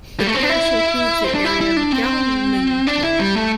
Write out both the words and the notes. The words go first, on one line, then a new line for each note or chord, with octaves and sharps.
The parish includes the area of Galmington.
G3
A3
C4
D4
E4
C4
D4
E4
E4
D4
C4
D4
E4
G3
A3